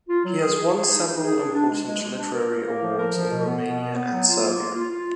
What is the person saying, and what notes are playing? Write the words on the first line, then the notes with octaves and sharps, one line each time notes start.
He has won several important literary awards in Romania and Serbia.
F4
F#3
G#4
G#4
G#4
D#4
D#4
G#4
D4
D4
G#3
G#3
G#3
D4
A#4
A#4
A#3
F3
A#4
F3
B2
B3
B2
B3
B3
F#3
F4
A#3
F4
F4
F4